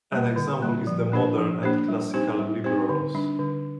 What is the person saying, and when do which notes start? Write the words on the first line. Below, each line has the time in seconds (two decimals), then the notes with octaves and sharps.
An example is the modern and classical liberals.
0.12 G3 A#3
0.36 D3
0.62 G3 A#3
0.87 F3
1.12 A#3 D4 G4 C5
1.38 F3
1.63 A#3 D4 G4 C5
1.88 G3
2.14 C4 D#4 G4 C5
2.39 G3
2.64 C4 D#4 G4 C5
2.89 D3
3.15 G3 D4
3.39 D3